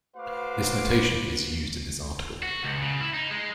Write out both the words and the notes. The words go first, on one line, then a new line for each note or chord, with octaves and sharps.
This notation is used in this article.
A3 F#4 B4 C5 F5 D6
F#4
C#2
C#3
E4
D#4
G#3